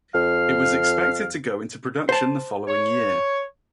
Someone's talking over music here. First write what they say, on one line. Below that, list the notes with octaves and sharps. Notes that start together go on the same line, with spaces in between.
It was expected to go into production the following year.
F2 F5
C5 A5
C#5